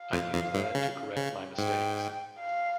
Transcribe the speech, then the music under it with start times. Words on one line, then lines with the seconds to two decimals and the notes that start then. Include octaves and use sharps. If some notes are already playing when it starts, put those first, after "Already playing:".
I used that to correct my mistakes.
Already playing: F5
0.13 F2
0.33 F2
0.54 G2
0.75 C#3
1.16 C#3
1.57 G#2 G5
2.40 F5